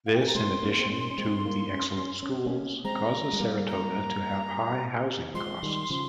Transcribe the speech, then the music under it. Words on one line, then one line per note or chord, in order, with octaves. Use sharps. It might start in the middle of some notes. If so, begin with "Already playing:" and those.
This, in addition to the excellent schools, causes Saratoga to have high housing costs.
F5
G5
G#5
A#5
G#3 C4 C6
A#3 C#4
C4
A#3 C#4
C#4
G#3 C4
G3 A#3
C#4
C#4
C#4
A#3 C#4
G#3 C4 A#5
G#3
G3 A#3
A#5
F3 G#3 C6
D#3 G3
C#3 F3